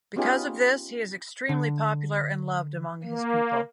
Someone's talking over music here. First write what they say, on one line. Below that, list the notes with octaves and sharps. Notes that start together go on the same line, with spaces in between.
Because of this, he is extremely popular and loved among his people.
B3 C#4 D#4 F4 G4 G#4
D3
A#3